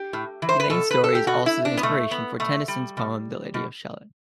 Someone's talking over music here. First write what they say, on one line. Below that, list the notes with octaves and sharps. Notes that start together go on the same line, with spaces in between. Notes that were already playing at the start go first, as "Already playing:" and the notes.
Elaine's story is also the inspiration for Tennyson's poem "The Lady of Shalott".
Already playing: G4
A2
E3
C5
B4
B2 A4
B4
A4
G4
B2 F#4
E4
D4
B3
B2 A3
B3
B2 A3
G3
B2
B2